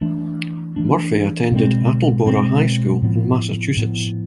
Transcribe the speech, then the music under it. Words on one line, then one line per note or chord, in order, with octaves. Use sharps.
Murphy attended Attleboro High School in Massachusetts.
E3 A3 D4
E3 A3 D4
B2 G#3 C4
B2 G#3 C4
A2 F3 B3
A2 F3 B3